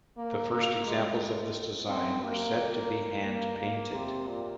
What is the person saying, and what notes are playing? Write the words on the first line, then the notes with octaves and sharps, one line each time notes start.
The first examples of this design were said to be hand-painted.
A#3
A#3
G#3
C4
A#3
A#3
A#3
C3
A#2